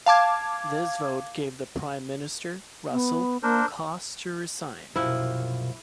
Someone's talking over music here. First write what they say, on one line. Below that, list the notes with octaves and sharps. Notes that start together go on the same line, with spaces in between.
This vote gave the Prime Minister, Russell, cause to resign.
F5 A5 D6 G#6
B3
A#3 D4 A#4 C5
C2 F#2 B2 F3 E4